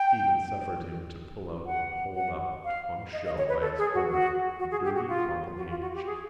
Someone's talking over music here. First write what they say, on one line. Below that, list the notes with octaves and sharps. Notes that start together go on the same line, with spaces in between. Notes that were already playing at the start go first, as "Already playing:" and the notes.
Stephen suffered him to pull out and hold up on show by its corner a dirty crumpled handkerchief.
Already playing: G5
F#5
F#5
F5
D#5
D#5
C#5
B4
A4
G#4
F#4
F#4
F#4
G#4
G4
F#4
F4
F#4
F4
F#4
G4
G#4